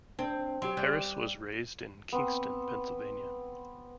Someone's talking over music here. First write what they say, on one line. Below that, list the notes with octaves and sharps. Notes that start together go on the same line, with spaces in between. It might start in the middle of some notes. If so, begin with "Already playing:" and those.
Harris was raised in Kingston, Pennsylvania.
C4 D4
F#3 G4 G5 C6
G3 D6 F#6
B3 C4